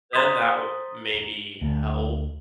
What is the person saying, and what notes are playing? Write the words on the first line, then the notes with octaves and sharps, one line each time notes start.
then that would maybe help
C5 A#5 D#6 A6 B6
D2